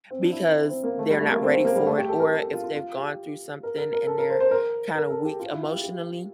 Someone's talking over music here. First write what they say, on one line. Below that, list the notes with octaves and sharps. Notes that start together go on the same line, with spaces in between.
because they're not ready for it, or if they've gone through something, and they're kinda weak emotionally,
C4
D4
E4
E4
C4
A#3
A3
G3
A3
A#3
C4
C4
A#3
G3
A3
G4
A4
A#4
A#4
A4
F4
F4
F4
G4
A#4
A#4
A#4
A4
A#4
C5
C5
A#4
A#4
A4
G4
F4
E4
F4
G4
G4